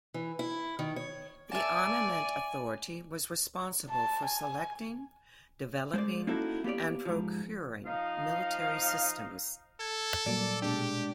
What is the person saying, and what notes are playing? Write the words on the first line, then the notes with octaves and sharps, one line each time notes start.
The Armament Authority was responsible for selecting, developing, and procuring military systems.
E3
E4
D#3
C#5
D5 E5 G#5 A5
A5
G#5
G#3 C5 D5
A#3 C#4 D#4 E4 F#4 A4
A#3 B3 G4 C#5 D5
G#2 F3
F3 D#4 F5
A4 G#6
A#2 F#3 G3 A#3 D5
B2 G#3 A#3 D4 G4